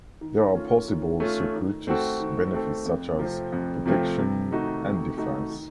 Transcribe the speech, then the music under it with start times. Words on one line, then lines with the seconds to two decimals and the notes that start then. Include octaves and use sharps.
There are possible circuitous benefits such as protection and defense.
0.21 D#3
0.54 A3 C#4 F4
0.88 D#3
1.20 A3 C#4 F4
1.53 D#3
1.87 A3 C4 F#4 A4
2.20 D#3
2.53 A3 C4 F#4 A4
2.86 F2
3.19 C3 F3 A3 C4
3.52 F2
3.86 C3 F3 A3 C4
4.18 C3
4.51 D#3 A3 D#4 F#4
4.84 C3
5.18 D#3 A3 D#4 F#4
5.50 D#3